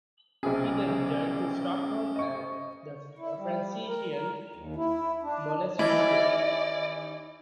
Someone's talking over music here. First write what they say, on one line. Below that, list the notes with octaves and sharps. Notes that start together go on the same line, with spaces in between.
He then returned to Stockholm and the Franciscan monastery there.
B1 C3 C#4 G#4
D#5 C#6
E4
G3
A#4
D#2
E4
D4
D#2 E3 C#4 E4 D5 D#5